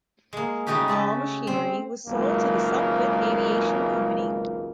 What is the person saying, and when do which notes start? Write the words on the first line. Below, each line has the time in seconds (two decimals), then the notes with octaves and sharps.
All machinery was sold to the Sopwith Aviation Company.
0.33 G#3 A#3
0.67 C#3 G3 A3 D#4 F#4 G4
0.88 C#3 A4 E5
1.47 C4
2.07 G#1 C#2 F#2 A#3